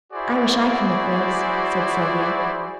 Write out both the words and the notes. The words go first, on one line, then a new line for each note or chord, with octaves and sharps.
"I wish I could make lace," said Sylvia.
E4 F#4 G#4 C5 D5